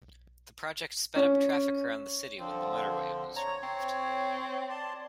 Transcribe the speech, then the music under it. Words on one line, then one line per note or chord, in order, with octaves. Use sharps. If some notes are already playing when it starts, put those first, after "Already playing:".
The project sped up traffic around the city when the motorway was removed.
C#4
D3 F3 C4
C#5 A#5
C4
D5 A5 C6